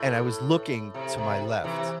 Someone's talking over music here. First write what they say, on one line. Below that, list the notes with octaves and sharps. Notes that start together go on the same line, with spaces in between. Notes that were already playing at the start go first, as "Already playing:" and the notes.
and I was looking to my left
Already playing: A2
C3
C3
C3 E3